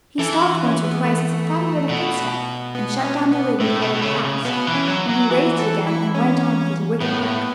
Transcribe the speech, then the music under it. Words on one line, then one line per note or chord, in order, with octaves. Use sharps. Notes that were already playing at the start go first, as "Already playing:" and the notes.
He stopped once or twice as he thought he heard a footstep, and shut down the lid until it had passed, when he raised it again and went on with his wicked work.
E3 A4
F#4
C#4
B3
A3
B2
B3
C#4
B3
A2 A3
B2
B2
C#3
C#3
B2 B3
E3
C#4
F#3
F#3
E3 F#4
A4
E4
C#4
A2 B3
A2